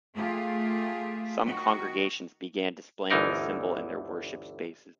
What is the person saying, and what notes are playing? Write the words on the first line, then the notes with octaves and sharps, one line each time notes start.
Some congregations began displaying the symbol in their worship spaces.
A3 F4 G4 G#4
D#3 F#4
G1 D2 E3 D#4 A#4